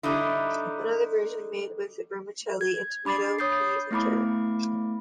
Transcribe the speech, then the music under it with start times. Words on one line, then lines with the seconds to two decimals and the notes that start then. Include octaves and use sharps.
Another version made with Vermicelli and tomato, peas and carrot.
0.03 D3 G3 D#4 E4
2.61 G#6
3.05 D4 B5 D6 A6 C7
3.39 C#5 D#6 G6 A6 C7
3.91 A3 B3 E4 B5 D6